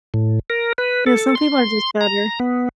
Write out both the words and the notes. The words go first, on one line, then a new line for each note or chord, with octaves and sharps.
Yeah, some people are just better.
A2
A#4
B4
A4
C6
A#5
B3